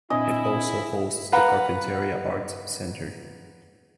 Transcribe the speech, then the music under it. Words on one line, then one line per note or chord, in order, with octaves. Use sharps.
It also hosts the Carpinteria Arts Center.
A#2 C4 D4 E4 D#5 G#5
B4 F5 F#5 A#5 B5